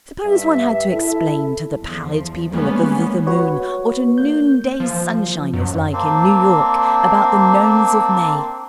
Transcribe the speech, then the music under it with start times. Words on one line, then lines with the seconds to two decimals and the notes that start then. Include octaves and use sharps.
Suppose one had to explain to the pallid people of the thither moon what a noonday sunshine is like in New York about the Nones of May?
0.24 G2 E5
0.92 E4 A4
1.82 E2 F3
2.52 G3 G#3 A#3 B3 C#4
3.27 F#4 B4 C#5
4.18 A#3 G6
4.80 F3
5.54 F#2
5.93 A#3 C4 D4